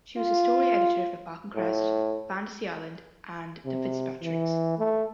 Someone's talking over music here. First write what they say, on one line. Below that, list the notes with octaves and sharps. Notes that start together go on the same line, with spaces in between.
She was the story editor for "Falcon Crest", "Fantasy Island" and "The Fitzpatricks".
F4
A2
C3
E3
A3